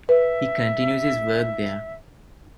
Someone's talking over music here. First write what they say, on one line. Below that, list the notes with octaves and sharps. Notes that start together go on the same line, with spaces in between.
He continues his work there.
B4 E5